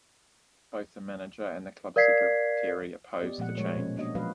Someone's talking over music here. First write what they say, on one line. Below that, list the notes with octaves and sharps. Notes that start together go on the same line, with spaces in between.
Both the manager and the club secretary opposed the change.
A#4 D5 F5 G#6 B6 C7
B3 G4 D5 D#5
A#2 F3 G#3 A3 B3 F#5
F3 G#3 A3 A#4 C#5
B2 A#3 C#4
F#3 G#3 A#3 D4 F#4 D#5
F3 F#3 G#3 F#4 B4 F5